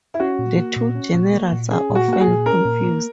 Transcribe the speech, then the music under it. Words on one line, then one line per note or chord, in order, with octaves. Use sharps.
The two generals are often confused.
E4
C#4 F#4
A#2
A#3
A#2
C#4
A#2
A#3
A#2
C#4 G#4
A#2
F#4
A#3 F#4
G#4
A#2
C#4 A#4
A#2
A#3